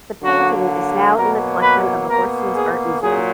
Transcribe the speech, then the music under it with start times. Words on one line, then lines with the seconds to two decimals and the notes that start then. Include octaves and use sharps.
The painting is now in the collection of the Horsens Art Museum.
0.23 D3 F#3 A#3 F#4
1.15 B2 F#3 A#3 A#4
1.61 B4
2.07 B2 A#3 A#4
2.54 G#4
3.01 A#2 F#3 G#4